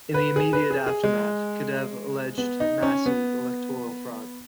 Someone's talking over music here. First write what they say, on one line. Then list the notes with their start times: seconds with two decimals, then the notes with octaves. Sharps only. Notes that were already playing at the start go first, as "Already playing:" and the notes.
In the immediate aftermath, Kedev alleged massive electoral fraud.
0.14 B4
0.36 G#4
0.53 B4
0.71 G#4
0.86 G#4
1.03 G#3
2.38 B3
2.60 D#4
2.82 C#4
3.06 B3